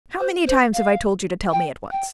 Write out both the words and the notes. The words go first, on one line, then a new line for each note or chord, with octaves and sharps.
"How many times have I told you to tell me at once?"
C5
C5
F5
G5
G5